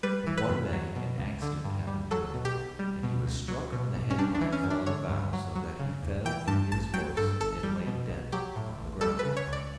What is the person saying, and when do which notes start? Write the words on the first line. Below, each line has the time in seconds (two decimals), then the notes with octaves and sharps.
But one day an accident happened to him, and he was struck on the head by a falling bough, so that he fell from his horse and lay dead upon the ground.
0.03 G3 B4
0.27 E3
0.37 B4
0.50 F#2
0.73 F#3
0.95 B2
1.18 C#2
1.42 D3
1.64 G2
1.87 G3
2.11 F#3 A4
2.34 B2
2.45 G4
2.56 B1
2.79 G3
3.03 B2
3.26 C#2
3.48 F#3
3.72 B2
3.95 B1
4.10 C#4
4.18 G3 D4
4.35 D4
4.41 E3
4.52 C#4
4.64 F#2
4.70 D4
4.86 D3 C#5
5.09 G2
5.33 F#3
5.55 F#3
5.79 C#3
6.02 E2
6.25 E3 G5
6.48 G2 A5
6.71 A1 A5
6.94 F#3 G5
7.17 G2 A4
7.40 G1 A4
7.63 G3
7.86 B2
8.09 B1
8.32 F#3 G4
8.56 A2
8.79 A1
9.01 G3 A4
9.19 B4
9.25 C#3
9.37 C#5
9.47 C#2
9.53 D5